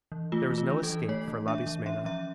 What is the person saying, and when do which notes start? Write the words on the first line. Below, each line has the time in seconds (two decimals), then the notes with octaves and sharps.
There was no escape for Labismena.
0.12 E3
0.32 A3 F4
0.50 E3
0.58 F4
0.70 D4
0.83 A4
0.89 E3
1.08 A3 C#5
1.28 E3
1.48 D4 E5
1.66 E3
1.86 C#4 E5
2.05 F3 E5